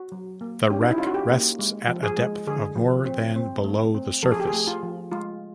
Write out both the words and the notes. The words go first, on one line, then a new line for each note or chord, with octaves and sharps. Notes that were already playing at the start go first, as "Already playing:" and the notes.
The wreck rests at a depth of more than below the surface.
Already playing: F#4
F#3
A#3
C#4 G4
D#4
E4
C#4 F4
F#4
G4
A#3
G#3
F3
G#4
G#3
D3 G#4
F3
C4
C4
A3
C4
F3 A4
G#4
G4
G#4
A3
F4
F3
G#3 F4